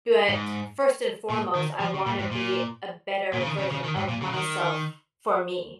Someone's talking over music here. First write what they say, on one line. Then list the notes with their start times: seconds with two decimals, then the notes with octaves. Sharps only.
But first and foremost, I wanna be a better version of myself, for me,
0.29 G#2
1.30 A#2
1.55 D#3
1.80 F3
1.94 C#3
2.06 A#2
2.19 G#2
2.31 A#2
3.33 A#2
3.40 C#3
3.46 D#3
3.59 C#3
3.71 C#3
3.84 D#3
3.96 G#2
4.09 A#2
4.22 C#3
4.34 D#3